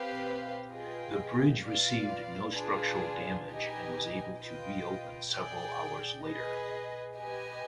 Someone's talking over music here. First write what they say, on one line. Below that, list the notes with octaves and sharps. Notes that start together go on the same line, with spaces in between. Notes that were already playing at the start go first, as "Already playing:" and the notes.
The bridge received no structural damage and was able to reopen several hours later.
Already playing: C4 G4 B4 F5
F4 G#4 B4 D#5 G5
F4 B4 D5 F5
D4 F4 G#4 B4
D#4 G4 B4 D#5 G#5
F4 B4 D#5 G5
G#4 D5 G5
G#4 B4 D#5
G4 B4 D#5 G#5